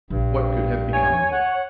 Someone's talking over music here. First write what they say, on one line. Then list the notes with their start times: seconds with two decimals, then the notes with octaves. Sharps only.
"What could have become of it?"
0.10 A#1 G2
0.93 C#5 G#5
1.32 F#5